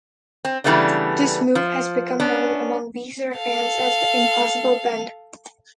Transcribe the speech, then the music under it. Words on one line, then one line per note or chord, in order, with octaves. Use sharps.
This move has become known among Weezer fans as the impossible bend.
C4
C#3 E3 G3 A3 B3 D4
F3
B3 C#4 D4
A4 F5